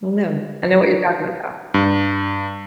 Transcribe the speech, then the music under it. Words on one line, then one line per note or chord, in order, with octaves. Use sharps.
I know I know what you're talking about.
G2